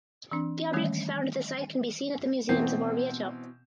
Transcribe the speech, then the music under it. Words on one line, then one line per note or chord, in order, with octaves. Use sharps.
The objects found at the site can be seen at the Museums of Orvieto.
E3 C4 D4
D#3 E3 G3 A3 A#3 C#4
B2 E3 C4 G6 C7